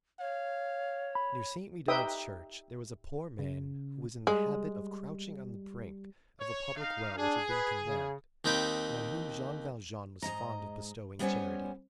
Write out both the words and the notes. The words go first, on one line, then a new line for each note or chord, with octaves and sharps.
Near Saint-Medard's church there was a poor man who was in the habit of crouching on the brink of a public well which had been condemned, and on whom Jean Valjean was fond of bestowing charity.
C#5 F5
B5
D#4 G4 B4 E5 G5 D#6
C#3
G3 G#3
C#5
D#4 F5
D4 G#4
B4
C#3
D#2 C4 D#4 G5 B5
G#2 D#5 A#5
G3 B3 C#4 C5 C#5 G#5